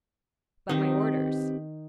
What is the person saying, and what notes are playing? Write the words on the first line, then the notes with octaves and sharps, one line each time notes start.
"But my orders."
D#3 C4 D#4 G4 B4